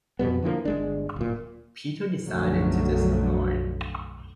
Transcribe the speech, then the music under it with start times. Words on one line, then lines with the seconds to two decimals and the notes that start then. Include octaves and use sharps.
Peter decided to just ignore it.
0.19 F2 B2 G3 B3
0.43 D3 E3 F3 A#3
0.65 G1 G#3 D4
1.16 D1 A#2
2.26 B1 F#2 D3 F3 F#3 A3